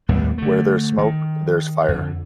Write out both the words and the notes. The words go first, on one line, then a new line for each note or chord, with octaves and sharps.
Where there's smoke there's fire.
D#2 A2 G3 B3
D3 A3
D#3
F2 D3